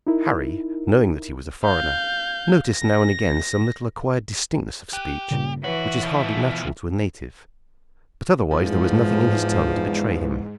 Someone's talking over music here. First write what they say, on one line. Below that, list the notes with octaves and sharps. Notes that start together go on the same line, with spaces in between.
Harry, knowing that he was a foreigner, noticed now and again some little acquired distinctness of speech which is hardly natural to a native; but otherwise there was nothing in his tongue to betray him.
D#4 E4 A#4
F5 G6
A#6
G4 F#6 D#7
G2 A#2 C#3
E3 F#4 B4 C#5
B2 F3
E2 G#2 F3